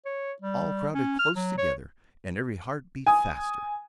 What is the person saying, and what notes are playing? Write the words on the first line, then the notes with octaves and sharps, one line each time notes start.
All crowded close together and every heart beat faster.
C#5
G3
C#4
F6
F#3
C#5
G#5 D#6